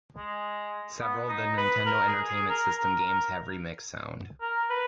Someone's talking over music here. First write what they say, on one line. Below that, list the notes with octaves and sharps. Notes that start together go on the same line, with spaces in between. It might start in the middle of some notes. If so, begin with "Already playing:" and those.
Several of the Nintendo Entertainment System games have remixed sound.
G#3
B3
D#4
B4
A#4
G#4
G#4
A#4
A#4
A#4
A#4
B4